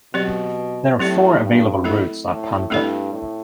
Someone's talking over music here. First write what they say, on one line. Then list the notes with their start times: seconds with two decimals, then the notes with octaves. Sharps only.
There are four available routes up Hunter.
0.14 B2 F#3 C4 G4 D5
0.99 A2 F#3 C4 G4 D5
1.42 G2
1.84 A3 C4 E4 A4 D5
2.27 A2
2.70 G2 A3 C4 E4 A4 D5
3.13 A2